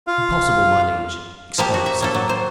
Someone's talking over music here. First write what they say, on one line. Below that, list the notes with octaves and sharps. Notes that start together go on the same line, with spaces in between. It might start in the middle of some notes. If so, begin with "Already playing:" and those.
"Impossible, my liege?" exclaimed Suffolk.
F4 F5
F3 A#3 G4
F#4
E5
A2 A#3 A4
F#3
C5